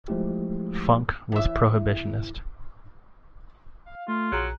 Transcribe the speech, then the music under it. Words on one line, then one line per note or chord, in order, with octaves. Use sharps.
Funk was a prohibitionist.
F3 G#3 A3 E4 G4
E3 E5
F5
A3 F4
A#1 F#3 G#4 A#5 F#6